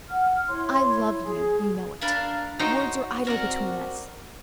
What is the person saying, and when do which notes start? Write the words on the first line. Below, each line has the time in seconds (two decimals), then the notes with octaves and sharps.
I love you--you know it--words are idle between us.
0.10 F#5 F6
0.49 E4 C#5 C6
1.23 G#4
2.01 D4 A#4 F5 B5
2.59 D#4 F#4 C5 C#5 G5
3.27 C4 A#4 D5 F#5